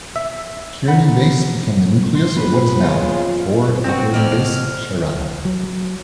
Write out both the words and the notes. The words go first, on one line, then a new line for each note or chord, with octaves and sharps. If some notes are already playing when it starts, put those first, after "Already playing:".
Kearney Base became the nucleus of what is now Forward Operating Base Sharana.
E5
F#5 A#5 B5
C6
F3 A#3 B3 B4
C#3 G#3 F4
F3
C4 F#4
F2 G#3 D5 F6
F#3